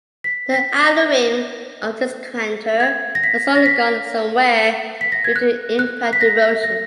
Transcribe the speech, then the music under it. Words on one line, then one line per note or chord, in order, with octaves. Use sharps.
The outer rim of this crater has undergone some wear due to impact erosion.
B6
B6
A#6
G#6
A#6
B6
A#6
B6
B6
A#6
G#6
F#6
F#6
B6
A#6
A#6